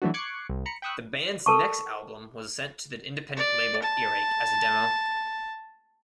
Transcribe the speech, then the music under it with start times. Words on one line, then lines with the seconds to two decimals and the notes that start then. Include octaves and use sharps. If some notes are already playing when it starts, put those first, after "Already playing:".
The band's next album was sent to the independent label, Earache, as a demo.
0.02 E3 F#3 A3 B3 D4 F#4
0.14 C#6 D6 F#6 G#6 C7 C#7
0.49 C2
0.66 A#5 B5 C#7
0.82 G5 B5 C#6 D#6 E6 F#6
1.46 A4 A#4 A5 C#6
3.36 D5
3.82 A5